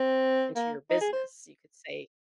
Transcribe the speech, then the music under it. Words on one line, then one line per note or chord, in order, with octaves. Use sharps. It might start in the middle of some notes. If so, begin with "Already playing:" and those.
into your business. You could say,
Already playing: C4
A#3
D#4
G#4
C5